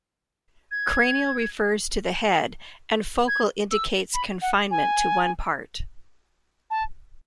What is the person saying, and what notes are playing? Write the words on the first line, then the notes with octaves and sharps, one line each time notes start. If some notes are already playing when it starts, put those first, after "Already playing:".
Cranial refers to the head and focal indicates confinement to one part.
G#6
G#6
E6
B5
F#5
G#5
A5